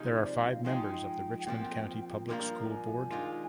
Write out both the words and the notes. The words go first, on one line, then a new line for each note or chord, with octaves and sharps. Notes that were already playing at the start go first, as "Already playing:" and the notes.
There are five members of the Richmond County Public School board.
Already playing: C3 F3 G#3 D#4 G#4
C5
D5
D#5
F5
F3 G#3 D#4 G#4 G5
A#2 F3 C4
G2 F3 A#3 D4 A#5 C6
G#5
D#3 G#3 D4 F4